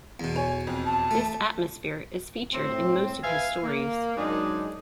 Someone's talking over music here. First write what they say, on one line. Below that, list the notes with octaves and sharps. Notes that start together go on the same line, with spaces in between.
This atmosphere is featured in most of his stories.
E2 B2
C#5 G#5
F2
A5
A3
A2 C4
B4 E5 F5 G#5
A#3
F#2 G#3 D4 D#4 G#4